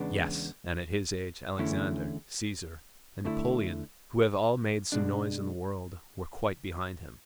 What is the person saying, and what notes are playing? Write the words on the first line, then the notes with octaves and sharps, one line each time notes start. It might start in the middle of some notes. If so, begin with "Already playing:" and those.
"Yes, and at his age, Alexander, Caesar, and Napoleon, who have all made some noise in the world, were quite behind him."
Already playing: E2 C#3 G#3 B3 D4
E2 D3 A3 C#4 E4
D3 A3 E4
B2 G#3 D4